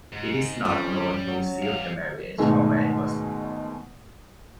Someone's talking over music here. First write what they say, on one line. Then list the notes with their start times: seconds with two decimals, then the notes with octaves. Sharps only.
It is not known who sealed the marriage or where it was performed.
0.12 G#2
0.65 F2 G3 C#4
1.28 F#3
1.63 G3 F5
2.38 G#2 B2 D#3 G#3 A3